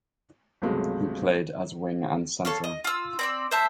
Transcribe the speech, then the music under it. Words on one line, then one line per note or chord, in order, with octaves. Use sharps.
He played as wing and centre.
G1 C#2 C3 F#3 G#3 A3
A4 C#5 F5
D#5
F4 E6
C4 D5 E6
C5 E5 A5